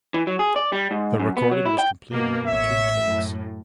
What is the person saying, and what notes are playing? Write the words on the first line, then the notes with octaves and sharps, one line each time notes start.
The recording was completed in two takes.
E3
F#3
G#4
D5
G3
G#2
F#2
B3
F#3
E4
G5
B2 A#3
A1 C#5 E5
F#2 A2